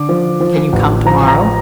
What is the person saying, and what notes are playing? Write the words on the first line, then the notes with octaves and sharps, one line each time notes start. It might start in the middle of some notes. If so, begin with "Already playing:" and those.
"Can you come to-morrow?"
Already playing: D3 D6
F3
F3
A1
F3 A#5
A#5